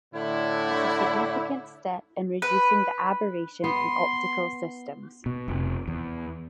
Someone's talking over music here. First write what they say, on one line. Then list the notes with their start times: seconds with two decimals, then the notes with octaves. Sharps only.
This was a significant step in reducing the aberration in optical systems.
0.14 A2 D3 E4
2.42 B4
3.64 B3 C6
5.26 B2
5.48 F1
5.88 E2